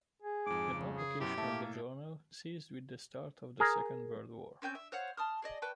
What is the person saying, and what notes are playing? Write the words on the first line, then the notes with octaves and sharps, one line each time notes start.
The publication of the journal ceased with the start of the Second World War.
G#4
F2 G#2 D6
C#3
G#4
F#2 B2 E4 G4
A2 A#3 E5 A5
G#4 A#4
C4 C#4 G5 G6
E5
C5 C#5 F5 F#5
A5 C6 D#6 F6
G#4 D5 D#5
B4 G5 A5 C#6